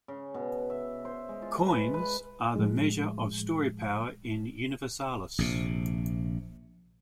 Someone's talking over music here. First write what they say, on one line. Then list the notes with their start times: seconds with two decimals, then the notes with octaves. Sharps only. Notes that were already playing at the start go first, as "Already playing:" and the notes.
"Coins" are the measure of story power in Universalis.
0.08 C#3
0.34 B2
0.70 E5
1.05 C5
1.29 G#3
1.42 F4
1.67 B4
1.94 B4
2.56 A2 F3 G#3
5.38 A#1 C3